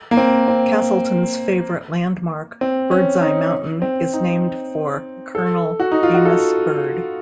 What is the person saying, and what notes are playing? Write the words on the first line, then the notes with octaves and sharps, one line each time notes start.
Castleton's favorite landmark, Birdseye Mountain, is named for Colonel Amos Bird.
A#3
C4
C4
C4
C#4
D#4
C4
D#4
A4
F#4
D#4
F4
F#4
A4